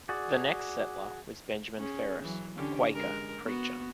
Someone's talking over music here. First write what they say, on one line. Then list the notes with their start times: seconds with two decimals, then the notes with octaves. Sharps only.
The next settler was Benjamin Ferris, a Quaker preacher.
0.09 F#4 G#4 D5
1.77 C#4 G#4
2.23 E3 F#3
2.56 D3 C#4 G4
2.93 G#3 A#4
3.43 B3 F#4